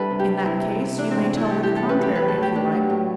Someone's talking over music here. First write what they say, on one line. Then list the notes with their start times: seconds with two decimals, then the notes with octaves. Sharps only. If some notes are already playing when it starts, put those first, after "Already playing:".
"In that case, you may tell her the contrary, if you like."
Already playing: G3 D4 E4 A4 B4
0.10 C3
0.19 G4
0.28 G3
0.45 C3 E4
0.63 G3
0.81 C3
0.98 E3 D4
1.11 A2 C4
1.24 C4
1.33 A2 E4
1.45 A4
1.50 G3 G4
1.63 E3 G4
1.77 A4
1.85 A2 B4
2.02 F#3 G4
2.15 A2 B4
2.28 A4
2.38 A2 G4
2.55 A3 D4
2.72 F#3
2.90 A2